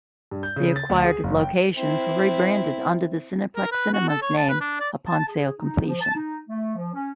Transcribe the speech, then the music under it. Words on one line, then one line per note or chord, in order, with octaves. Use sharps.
The acquired locations were rebranded under the Cineplex Cinemas name upon sale completion.
G2
G6
C#3
A6
D2
G#4
F#1
G5
C4 E4
A#4
B4
F#4
A4
C#5
A5
B4
D4
D5
A5
G#4
D#4
F3
A5
D#4
A3
F3
C#4